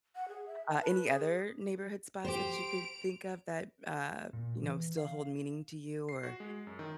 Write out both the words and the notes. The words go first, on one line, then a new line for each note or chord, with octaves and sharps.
Uh, any other neighborhood spots that you could think of that, uh, you know, still hold meaning to you or
F#5
G#4
E5
A5
B4
G#4
G4 C5 D7 F7
A#2
E3
F5
C7
F#4
G#3
F#2
D#3